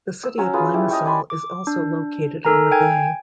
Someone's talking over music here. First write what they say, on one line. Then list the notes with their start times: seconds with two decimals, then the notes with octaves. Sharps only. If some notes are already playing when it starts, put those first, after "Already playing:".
The city of Limassol is also located on the bay.
0.23 E6
0.38 F#3 C#4 F#4
0.53 F4 G#4 B4
0.73 E4 G4
0.88 D#5 G5 A5 C#6
1.05 D5 G#5 B5 C6
1.30 D6
1.67 D4
2.45 D#4 A4 A#4 G#5 A#5
2.72 G5 G#5 G#6